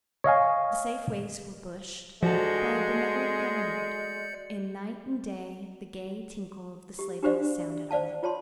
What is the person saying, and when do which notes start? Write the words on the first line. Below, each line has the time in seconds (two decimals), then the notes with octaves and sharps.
The safe ways were "bushed" by a benevolent Government, and night and day the gay tinkle of the sleigh-bells sounded on it.
0.24 C#5 D#5 F5 G#5
2.23 F3 G#3 F#4 A4 D5 G6 C#7
6.99 G4
7.23 D4 F#4 G4 C5 D5 F5
7.91 C5 D5 F5 A5
8.23 F4 C#5 A5 C6